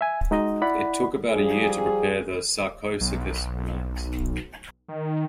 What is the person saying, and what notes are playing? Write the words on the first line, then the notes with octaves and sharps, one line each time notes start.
It took about a year to prepare the "Sarcosuchus" remains.
E5 G#5
G#3 D#4 F#4 D#5
E4 D5 F#5 B5
F3 G3 G#4
B1
D#3